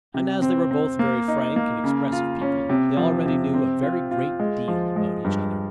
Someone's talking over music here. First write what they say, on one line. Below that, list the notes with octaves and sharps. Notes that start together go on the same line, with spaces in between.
And as they were both very frank and expressive people, they already knew a very great deal about each other.
C3
C4
C4
A#3
D#4
A#3
C#3
F4
C#4
C3
F3
C3
C4
F4
F4
G#3
F3
G#3
G2